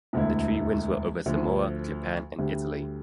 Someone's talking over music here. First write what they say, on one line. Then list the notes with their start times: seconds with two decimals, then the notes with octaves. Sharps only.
The three wins were over Samoa, Japan and Italy.
0.13 E1 D2 D3 A3 E4
1.26 D2 D3 F3
2.39 D2 D3 G3